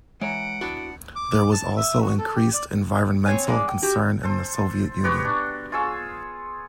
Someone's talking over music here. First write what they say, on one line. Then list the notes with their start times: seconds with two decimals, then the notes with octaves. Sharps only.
There was also increased environmental concern in the Soviet Union.
0.21 E3 G#3 C#5 F#5 A#5 D7
0.61 B3 D4 E4 F#4
1.16 D6
1.52 A5
1.77 E5
2.02 F#4
2.18 A4
2.35 G4
2.54 D5
3.26 C4 C#5 G#5
3.47 F2 G#3 D5
3.68 G5
3.82 F#4 G4
4.23 A4 C5
5.04 B3 F#4 G4 C#5
5.25 D4
5.72 F4 G#4 C#5 E6